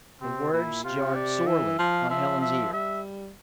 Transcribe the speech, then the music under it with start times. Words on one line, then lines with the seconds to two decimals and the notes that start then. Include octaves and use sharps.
The words jarred sorely on Helen's ear.
0.21 C3 C4
0.53 A#2 E4
0.85 C3 F4
1.15 D5
1.47 E3 E5
1.79 F3 F5
2.10 F3 E5
2.41 E5
2.73 G3 E5